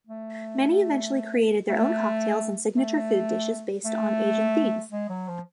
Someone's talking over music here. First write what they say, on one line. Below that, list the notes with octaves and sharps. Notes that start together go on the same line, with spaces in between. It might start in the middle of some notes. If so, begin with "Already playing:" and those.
Many eventually created their own cocktails and signature food dishes based on Asian themes.
A3
A3
A3
A3
G#3
F#3
F3